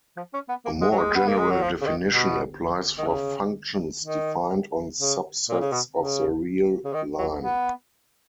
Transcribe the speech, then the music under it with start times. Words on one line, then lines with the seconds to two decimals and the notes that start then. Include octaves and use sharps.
A more general definition applies for functions defined on subsets of the real line.
0.17 F3
0.33 C#4
0.49 B3
0.65 A#3
0.81 G#3
0.91 F#3
0.98 G#3
1.16 B3
1.28 A#3
1.39 G#3
1.50 F#3
1.61 F3
1.81 C#3
1.86 D#3
2.10 B2
2.98 D#3
3.07 C#3
4.03 D#3
5.00 C#3
5.49 A#2
5.61 C#3
5.72 B2
5.97 C#3
6.84 C#3
6.93 D#3
7.18 F#3
7.42 B3